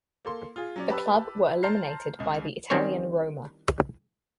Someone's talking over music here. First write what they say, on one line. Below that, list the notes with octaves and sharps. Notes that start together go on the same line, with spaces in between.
The club were eliminated by the Italian Roma.
A#3 A4 C6
F4 G#4
F#3 C#4 D5
G4 B4 A5 B5 E6
A5 A#5 C6 F6 G6 C7
C#2 G#3
D#3 G3 C4 C#4 C5 C#5